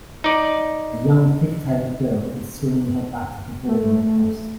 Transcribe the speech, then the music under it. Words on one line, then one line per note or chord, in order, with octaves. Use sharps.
A young pigtailed girl, is swinging her bat at a ball on a post.
D#4 D5
A3